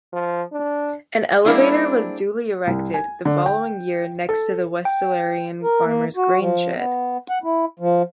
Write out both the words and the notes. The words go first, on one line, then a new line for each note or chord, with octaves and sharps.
An elevator was duly erected the following year next to the Westralian Farmers grain-shed.
F3
D4
G3 A#3 C4 D4 E4 G#4
C2
G#5
D3
G5
A4
G5
A#4
A#3
F#4
F3
B3
F#5
E4
F3